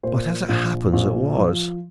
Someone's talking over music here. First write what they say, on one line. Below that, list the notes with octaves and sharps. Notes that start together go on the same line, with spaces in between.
But as it happens, it was.
A#2 C5
A#1
A#1
F3